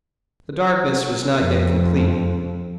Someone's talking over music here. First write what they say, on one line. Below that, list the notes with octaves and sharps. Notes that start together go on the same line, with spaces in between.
The darkness was not yet complete.
F2